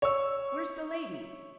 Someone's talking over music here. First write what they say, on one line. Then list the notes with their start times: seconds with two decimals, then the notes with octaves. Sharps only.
Where's the lady?
0.02 C#5 C#6 E6